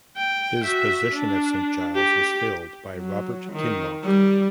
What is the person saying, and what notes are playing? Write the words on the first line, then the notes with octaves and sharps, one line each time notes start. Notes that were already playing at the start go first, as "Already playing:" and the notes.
His position at St Giles was filled by Robert Kinloch.
G5
F#4 E5
D4
G4
F#3
D#3
G3